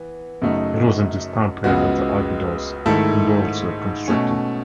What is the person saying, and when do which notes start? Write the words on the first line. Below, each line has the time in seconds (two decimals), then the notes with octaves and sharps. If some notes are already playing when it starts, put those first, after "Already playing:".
It was in this time period that the Abydos boats were constructed.
Already playing: E3 B3
0.42 F#2 C#3 F#3 A3 D#4
1.64 C#2 C#3 G#3 B3 F#4
2.86 G#2 D#3 A3 E4 A4
4.08 B2 A3 C#4